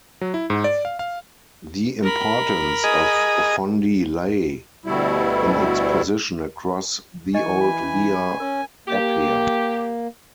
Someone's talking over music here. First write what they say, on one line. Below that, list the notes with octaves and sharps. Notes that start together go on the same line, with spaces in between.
The importance of Fondi lay in its position across the old Via Appia.
F#3
E4
G#2
D5
F5
F5
A#4 B5
G#4 D#5
D2 B2 G3 E4
E3 D#5 G#5 C#6
B5
C#4
C#4 A#4
A#3 G4